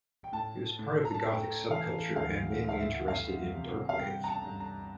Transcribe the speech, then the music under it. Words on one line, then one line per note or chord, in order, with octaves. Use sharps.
He was part of the gothic subculture and mainly interested in Dark Wave.
G5
A2 A5
A2
A#5
A5
A3 G5
E3 F5
D2 F5
D2
F5
E5
G3 F5
C3
F5
G2 G5
A#5
A5
G2
A#5